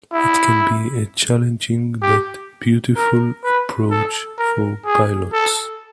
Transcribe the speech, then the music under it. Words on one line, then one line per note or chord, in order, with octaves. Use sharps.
It can be a challenging but beautiful approach for pilots.
E4
G4
A#4
B4
A4
A#4
G#4
A4